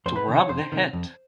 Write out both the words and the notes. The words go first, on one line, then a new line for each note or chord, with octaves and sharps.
To wrap the head.
F2 C5
B4
C3 D#3
C#5
F2 C5
C3 D#3
F2